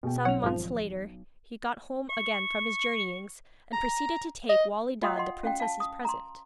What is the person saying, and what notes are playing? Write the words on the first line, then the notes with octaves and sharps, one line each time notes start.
Some months later he got home again from his journeyings, and proceeded to take Wali Dad the princess's present.
B2 G#4 G5
B1 C#5 F#5 F7
G#1 F3
C#6
A#5
D#5
F4 D#5 F5 G5 C6 D#6
D#5 F#5 C6
C#4 F5 G5
F5 A5
D#6
A#5 C6